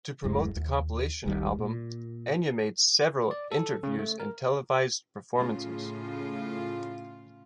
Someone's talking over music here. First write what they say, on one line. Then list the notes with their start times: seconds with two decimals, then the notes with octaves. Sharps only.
To promote the compilation album, Enya made several interviews and televised performances.
0.24 D1 F#2 A2 G#3
0.56 D#2
1.26 D#1 A#1 D#3 G3
1.59 A#2
3.31 D5
3.52 A4
3.83 C#3
3.99 A3
4.20 A#4
5.36 A2 C#3 A3 F4